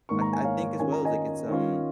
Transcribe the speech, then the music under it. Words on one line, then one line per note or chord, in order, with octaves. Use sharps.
I I think as well, like, it's, um
G#2 D#3 A#3 C#6
A#5
G#5
C#5 F5
D#3 C#4 F4 G#5
A#5
D#5 G#5
D#3 C#4 F4